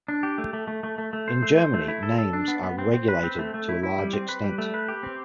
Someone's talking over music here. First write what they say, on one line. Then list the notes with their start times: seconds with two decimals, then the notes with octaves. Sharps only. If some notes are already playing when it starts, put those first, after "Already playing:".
In Germany, names are regulated to a large extent.
0.08 D4
0.23 G4
0.38 A3
0.53 A3
0.68 A3
0.83 A3
0.98 A3
1.13 A3
1.28 C5
1.43 A3
1.58 C5
1.74 A3
1.88 E4
2.03 A4
2.18 A4
2.33 D4
2.48 B3
2.63 B3
2.79 C4
2.94 C4
3.08 B4
3.23 C4
3.39 A3
3.54 A3
3.69 E4
3.83 E4
3.99 G3
4.13 C4
4.29 B4
4.44 G3
4.58 A3
4.74 B4
4.88 G4
5.03 C4